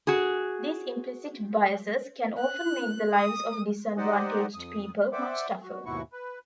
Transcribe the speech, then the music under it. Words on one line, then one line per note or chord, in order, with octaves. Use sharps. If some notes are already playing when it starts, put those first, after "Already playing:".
These implicit biases can often make the lives of disadvantaged people much tougher.
F#4 G#4
F#6
D#6
D#4 G4 C5 D5 D#5 F#5
F2 D#6
C5 D5 E5 F#5 G5 D6
F#4
D#2 G#2 B2 E4 F#4 C#6
B4